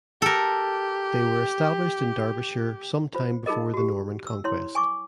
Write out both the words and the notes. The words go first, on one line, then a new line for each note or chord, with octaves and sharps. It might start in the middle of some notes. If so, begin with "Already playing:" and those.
They were established in Derbyshire some time before the Norman conquest.
G4 A4 A#4
F4 C5
D#4 F4 G#4 A#4 D#5
F#4 G4
E6
E4 C#5 C6
G#5 C#6 D6